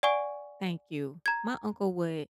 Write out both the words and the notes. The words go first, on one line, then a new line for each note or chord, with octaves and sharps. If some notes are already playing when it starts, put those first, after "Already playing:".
Thank you. My uncle would
D5 F#5 G#5 C#6 D7
A#5 G#6